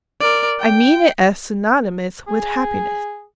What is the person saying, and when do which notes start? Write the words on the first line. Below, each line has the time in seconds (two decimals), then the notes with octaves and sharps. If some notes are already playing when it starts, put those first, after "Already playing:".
I mean it as synonymous with happiness.
0.20 A#4 D5
0.60 G5
2.28 G#4